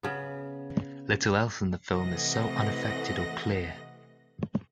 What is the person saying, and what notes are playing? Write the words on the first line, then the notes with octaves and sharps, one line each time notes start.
Little else in the film is so unaffected or clear.
C#3 B3
C3 E3 A3 D#5 F#5 A#6